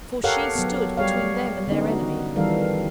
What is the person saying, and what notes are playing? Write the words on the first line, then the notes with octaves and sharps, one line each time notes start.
For she stood between them and their enemy.
G4 A4 A#4 C#5 F5 F#5
F#3 B3
G3 G4 C#5 F5
D3 B3 C#4 D#4
F#4
D#3 E3 G3 A4 A#4 F5